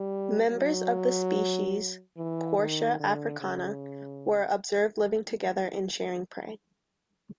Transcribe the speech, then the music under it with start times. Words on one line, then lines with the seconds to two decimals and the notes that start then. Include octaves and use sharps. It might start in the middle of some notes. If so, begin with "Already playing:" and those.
Members of the species "Portia africana" were observed living together and sharing prey.
Already playing: G3
0.52 F#3
2.17 E3
2.58 D#3
3.00 D3
3.41 C#3